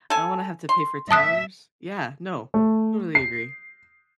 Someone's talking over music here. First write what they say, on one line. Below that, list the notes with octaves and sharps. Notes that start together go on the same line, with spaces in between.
I don't wanna have to pay for tires. Yeah, no, totally agree.
A4 G#5
C6
E5 A5 D#6 F#6
A3
C7